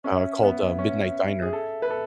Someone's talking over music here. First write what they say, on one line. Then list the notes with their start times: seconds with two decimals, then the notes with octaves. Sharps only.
uh, called, uh, Midnight Diner,
0.04 C#4 E5
0.43 B3
0.79 C#4
1.42 G#4
1.53 A4
1.82 B4
1.90 A4